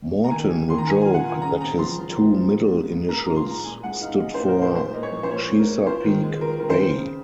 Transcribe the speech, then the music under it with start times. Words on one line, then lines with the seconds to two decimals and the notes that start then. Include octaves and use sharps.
Morton would joke that his two middle initials stood for Chesapeake Bay.
0.24 A#5
0.31 D#3 G#5
0.50 D#3
0.68 D#3 C6
0.78 A#5
0.86 D#3 G#5
1.01 G#5
1.05 F4
1.14 F#5
1.24 D#3
1.29 G#5
1.42 C#3 A#5
1.61 C4 A#5
1.79 F3 C6
1.98 F3
2.16 C4
2.35 F3
2.53 G#2
2.71 G#2
2.90 G#2
3.09 A#3 A#5
3.22 A#5
3.27 F4
3.36 C6
3.46 G#2 A#5
3.64 A#2 G#5
3.83 G#3 F#5
4.01 D#4 F5
4.19 G#3 D#5
4.34 C5
4.39 A#2
4.48 A#4
4.57 A#2
4.62 C5
4.75 G#2 C5
4.93 A#3 D#5
5.03 C#5
5.12 F3
5.23 C5
5.30 A#3 C#5
5.50 G#2
5.59 A#4
5.68 A#3
5.86 F4 C5
6.04 D#3
6.23 G#3
6.41 F4 A#4
6.59 D#3 A#4
6.70 C5
6.79 C4
6.97 C#3